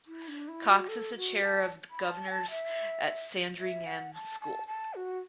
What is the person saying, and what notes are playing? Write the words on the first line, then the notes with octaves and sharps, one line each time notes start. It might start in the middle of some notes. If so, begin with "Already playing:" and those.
Cox is the Chair of Governors at Sandringham School.
E4
D4
E4
F#4
A4
F#4
A5
B5
A5
F#5
A5
E5
E5
F#5
A5
A5
A5
F#4